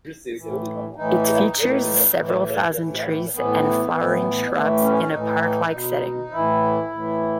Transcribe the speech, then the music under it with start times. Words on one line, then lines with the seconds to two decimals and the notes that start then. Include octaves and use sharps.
It features several thousand trees and flowering shrubs in a park-like setting.
0.37 A2 E3
0.96 A2 E3 D#4
1.55 A2 E3
2.14 A2 E3
2.74 A2 E3
3.33 A2 E3 B3
3.94 A2 E3
4.52 A2 E3 A3
4.82 C#4
5.11 A2 E3 D#4
5.71 B2
6.31 A2 E3 E4
6.90 A2 E3